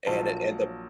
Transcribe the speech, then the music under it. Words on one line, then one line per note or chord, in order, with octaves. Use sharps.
and it and the
A#1 A#2 F#3 A5